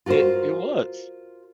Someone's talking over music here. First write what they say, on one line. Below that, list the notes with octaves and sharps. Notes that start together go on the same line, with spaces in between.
it it was.
F4 F#4 A4 A#4 C5